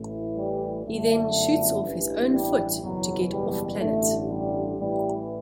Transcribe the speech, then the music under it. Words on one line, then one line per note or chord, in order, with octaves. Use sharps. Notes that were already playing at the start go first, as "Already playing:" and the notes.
He then shoots off his own foot to get off-planet.
Already playing: A1 A2 E3
G3
G1 F#2 D3 A3
A1 G2 E3
G3
F#1 E2 B2 F#3
G3
A1 G2 D3 A3
G3
A1 A2 E3 G3